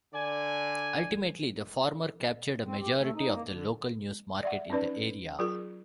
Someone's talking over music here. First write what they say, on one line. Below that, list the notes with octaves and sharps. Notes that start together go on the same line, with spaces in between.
Ultimately, the former captured a majority of the local news market in the area.
D3 D5 G#5
C4
G4
A3
D#4
A#3
D3
D5 E5 F#5
C4 C#4 D#4 B4 D5
F#3 F4 G#4 A#4